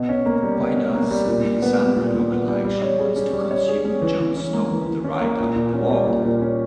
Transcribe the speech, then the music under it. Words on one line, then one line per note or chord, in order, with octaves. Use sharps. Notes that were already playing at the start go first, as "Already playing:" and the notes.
Why does Melissandre look like she wants to consume Jon Snow on the ride up the wall?
Already playing: B2
C#4
A#3
G3
B2
C#4
A#3
G3
A#2
A#2
B3
G3
A#2
A#2
B3
G3
G3
C#5
G#4
C#4
G3
C#5
G#4
C#4
E3
E3
C#4
A#3
E3
E3
C#4
A#3
A#2
A#2
C#4
G3
A#2
A#2
C#4